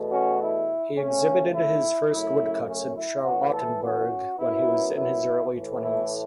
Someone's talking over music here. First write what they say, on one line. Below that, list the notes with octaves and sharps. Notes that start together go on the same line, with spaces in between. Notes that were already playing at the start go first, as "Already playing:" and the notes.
He exhibited his first woodcuts at Charlottenborg when he was in his early twenties.
Already playing: E2 B2 A3
C#4 F#4
E4
C#2 C#3 A3 C#4
E4
F#2 C#3 F#3 A3 E4
C#4
E4
A2 E3 B3 C#4 F#4
E4 A4
C#4 F#4
F#2 F#3 B3 E4
E4
A2 E3 A3
E4